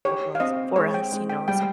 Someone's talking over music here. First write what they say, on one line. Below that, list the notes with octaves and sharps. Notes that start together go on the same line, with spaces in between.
us for us, you know, as some
G4 C#5
F5
C4 D#5
G#3 C#5
G5
G#3
G5
G3 G5